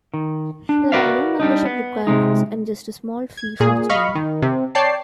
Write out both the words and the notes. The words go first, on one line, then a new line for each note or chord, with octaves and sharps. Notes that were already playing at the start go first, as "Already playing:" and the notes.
There are no membership requirements and just a small fee for joining.
D#3
D4
F#4 A#4 B4 D5 E5 F5
G3 D4 D#4
B3
C3 G#3 D#4
G#6
A#2 G#4
D#5 F5 B5 C#6 F6
D#3
C3
C#5 D5 G5 A5 C7